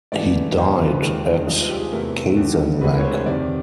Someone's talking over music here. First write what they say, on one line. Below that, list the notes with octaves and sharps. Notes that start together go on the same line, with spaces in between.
He died at Kazanlak.
G#2 E3 A3 D5
E2 C#3 F3 A#3 C5
C5
B4
B4
D#2 D#3 G#3 A#4
F4
D#4
D4
C2 C3 F3 G#3 D#4
F4
G4
G#4
E2 C3 E3 A3 A#4
D#2 D3 G3
D2 C3 E3 G#3 B4
A#4
C#5
C5
C#5
F2 C3 D#3 D5